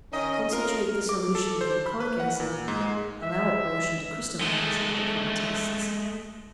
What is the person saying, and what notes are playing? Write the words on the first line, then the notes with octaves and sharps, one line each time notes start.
Concentrate the solution of meconic acid, allow a portion to crystallize, and apply tests.
D#3 C#4 D#5
F4 A4 A#4
D6
A4
C5
B5
B4
F#5
A#2
G#2
G#3
E5
G#3 A3